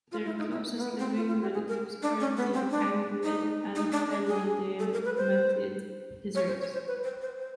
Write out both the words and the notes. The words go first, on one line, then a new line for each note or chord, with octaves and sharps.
Their closest living relatives are the anguid and helodermatid lizards.
F4
E4
D#4
E4
A#3
B3
C4
F4
F4
G4
G#4
A#4
D4
C#4
B3
C4
D4
D#4
D#4
D4
D4
G#4
A4
A#4
B4
C5
C#5
C5
C#5
C5
B4
C5
C5
C5